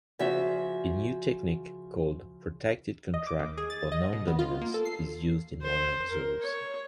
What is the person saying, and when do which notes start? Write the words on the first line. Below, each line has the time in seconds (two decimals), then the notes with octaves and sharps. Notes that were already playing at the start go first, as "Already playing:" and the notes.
A new technique, called "protected contact" or "non-dominance" is used in modern zoos.
0.19 C#3 F3 F#4 E5
3.14 D#5
3.27 D6
3.39 D#2
3.57 G#4
3.70 A6
3.92 D#5
4.13 B2
4.27 B3
4.39 F4
4.61 A#3
4.74 A4
4.85 C7
5.61 C5
6.10 A#4
6.41 C#5